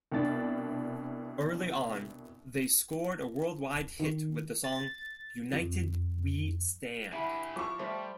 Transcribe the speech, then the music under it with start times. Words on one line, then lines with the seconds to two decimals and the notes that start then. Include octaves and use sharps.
Early on, they scored a worldwide hit with the song "United We Stand".
0.12 C2 B2 D4 A6
4.00 D#3
4.64 A6
5.53 F2
7.13 E4 G4 F#5 G#5
7.56 F3 C#6 D6
7.79 G3 A3 C5